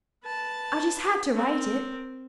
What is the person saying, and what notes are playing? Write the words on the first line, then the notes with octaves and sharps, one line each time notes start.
I just had to write it.
B4 A5
C4 A#4